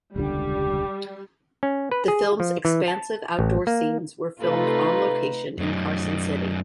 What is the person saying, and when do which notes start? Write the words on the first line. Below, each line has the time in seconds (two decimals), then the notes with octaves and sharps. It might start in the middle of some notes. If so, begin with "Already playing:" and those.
The film's expansive outdoor scenes were filmed on location in Carson City.
0.16 E1 C#2 D3 G3 G4
1.63 C#4
1.91 B4
2.08 G#4
2.40 F3
2.65 E3
2.88 A5
3.39 A1
3.67 A#3
4.41 C3 A3 D#4 F4 B4
5.58 F#2 D#4